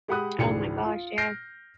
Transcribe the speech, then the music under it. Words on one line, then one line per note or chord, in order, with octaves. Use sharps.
Oh, my gosh, yeah.
G#3 G4 F#5 B5 D#6 F#6
G#1 C#2 E3 D4 G#4 C#7
F4
F6 G6 A#6 C7 D7